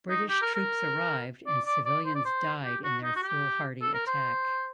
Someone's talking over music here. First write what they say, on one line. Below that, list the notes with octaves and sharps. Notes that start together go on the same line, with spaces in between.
British troops arrived and civilians died in their foolhardy attack.
D#4
G4
A#4
A#4
D5
D5
D5
C5
D5
C5
G4
F#4
D#4
F#4
G4
A4
A#4
C5